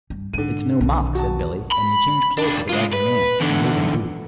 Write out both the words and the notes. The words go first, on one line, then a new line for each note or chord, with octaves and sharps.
"It's no mock," said Billy, and he changed clothes with the raggedy man, and gave him boot.
G2
G#2 D3 D#7
B1 D#3
F#4 A5
B5
D#2 D4
G#3 F4
B4
E2 D3